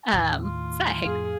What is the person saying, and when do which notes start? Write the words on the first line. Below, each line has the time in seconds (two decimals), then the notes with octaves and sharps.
um, it's that hair.
0.13 D#2 A2 D#3
0.44 F4
1.06 F2 A2 G#4 F5